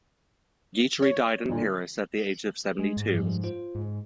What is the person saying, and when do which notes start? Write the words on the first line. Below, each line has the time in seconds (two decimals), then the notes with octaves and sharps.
Guitry died in Paris at the age of seventy-two.
1.02 C#5
1.49 G1 A#2 D3
2.79 G#3
2.97 G#2
3.15 F#2 F3 G3
3.44 F4 C5
3.75 G#2